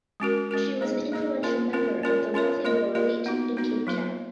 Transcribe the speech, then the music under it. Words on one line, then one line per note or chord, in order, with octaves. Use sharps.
She was an influential member of the wealthy Boer elite in Cape Town.
G#3 C#4 F#4 A#4
G#3 C#4 F#4 A#4
A#3 D#4 G#4 D#5
A#3 D#4 G#4 D#5
A#3 C#4 F4 A#4
A#3 C#4 F4 A#4
C#4 F4 A#4 C#5
C#4 F4 A#4 C#5
A#3 F4 A#4 D#5
A#3 F4 A#4 D#5
B3 D#4 F#4
B3 D#4 F#4
F#3 A#3 F4 B4